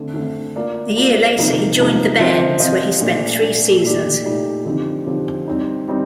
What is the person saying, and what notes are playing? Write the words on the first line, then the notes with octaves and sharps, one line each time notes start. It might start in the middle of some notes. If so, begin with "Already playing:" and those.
A year later he joined the "Bairns", where he spent three seasons.
Already playing: D3 A3 C4
D3 A3 C4
A#3 F4 A#4 D5
A#3 F4 A#4 D5
C3 F3 A#3 D#4 A#4
C3 F3 A#3 D#4 A#4
F3 C4 F4 C5 D#5
F3 C4 F4 C5 D#5
A#2 A3 D4
A#2 A3 D4
A#2 A3 D#4 G4 D5
A#2 A3 D#4 G4 D5
D3 F3 C4 D#4 G4
D3 F3 C4 D#4 G4
G3 C4 D#4
G3 C4 D#4